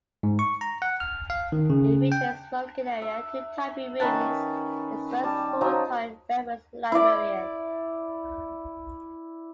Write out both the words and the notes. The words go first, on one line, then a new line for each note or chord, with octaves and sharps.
It featured a smoking area, two typing rooms, and its first full-time reference librarian.
G#2
C#6
A#5
F#5
F6
F5
D#3
C#3
G5
E5
D#3 C#4 B4 A5
G3 A5
F3 F#3 D#4
E4 D5